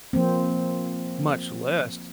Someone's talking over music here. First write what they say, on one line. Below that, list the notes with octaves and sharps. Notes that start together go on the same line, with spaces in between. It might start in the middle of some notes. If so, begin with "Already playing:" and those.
much less,
F3 A#3 C4